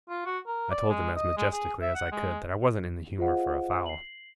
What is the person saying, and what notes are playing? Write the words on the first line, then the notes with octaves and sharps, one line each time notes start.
I told him, as majestically as I could, that I wasn't in the humour for a fowl.
F4
F#4
A#4
D5
G#3
D#5
G#3
G#4
E5
F#5
G#3
F4 G#4 C5 D#5 F5 F#5
C7 F#7